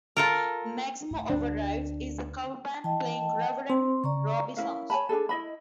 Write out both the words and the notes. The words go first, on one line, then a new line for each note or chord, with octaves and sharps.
Maximum Overdrive is a cover band playing Rubberen Robbie songs.
F4 A4 A#4
D#2 A2
D2 D4
E3 D#5 G5 A5
C4 C6
C#3 D5 A#5 C#6
C#4 E4 A#4 F5
C#5 G#5 A5 B5
D4 D#4 G#4 A4
E4 D#5 B5